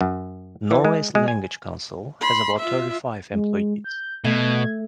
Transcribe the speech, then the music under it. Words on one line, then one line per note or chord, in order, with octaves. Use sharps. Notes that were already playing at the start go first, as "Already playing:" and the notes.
Norway's language council has about thirty-five employees.
F#2
E3
G#3
G#3
G#5
B5 C6
F4 E5
G#3
G6
B2 A3 G#6